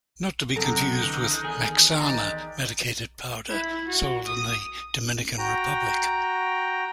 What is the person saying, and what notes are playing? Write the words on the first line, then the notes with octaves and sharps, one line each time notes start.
Not to be confused with "Mexana" medicated powder, sold in the Dominican Republic.
F#2 C3 G#3 D#4 A4 A#5
D3 E3
E2 D#3 G#4
G#3 G4 D5 D#5 A#5
E4
F#4
D#6
F#4 G5 A#5